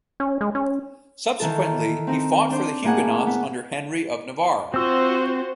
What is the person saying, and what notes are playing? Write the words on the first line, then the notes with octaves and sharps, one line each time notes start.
Subsequently, he fought for the Huguenots under Henry of Navarre.
C#4
G#3
C#4
D#3 E3 A4
C4 D#4
D4 C5
A2 A#3 G#4 F#5
B3
C4 F4 F#4 C5 E6